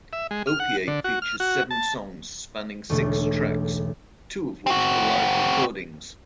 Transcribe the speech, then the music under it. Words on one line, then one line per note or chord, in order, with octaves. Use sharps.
"Opiate" features seven songs spanning six tracks, two of which are live recordings.
E5
G#3
F6
F#5
D3
F#4
F6
F#4
A5
E1 B1 D3 A3
C4 F#4